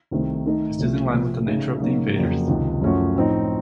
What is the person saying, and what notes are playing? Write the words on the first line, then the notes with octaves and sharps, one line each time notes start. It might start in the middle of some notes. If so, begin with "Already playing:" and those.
Is this in line with the nature of the invaders?
C2 C3 D#3 A3 C4
D#3 A3 D#4 A4
C2 C3 F3 A3
C3 F3 A3
C#3 A3 D#4
C#3 F#3 A#3 D#4 F#4
F2 C#3 F#3 A#3
C#2 C3 D#3
F#2 F3 A3 C#4 F#4
A2 F3 C4 D#4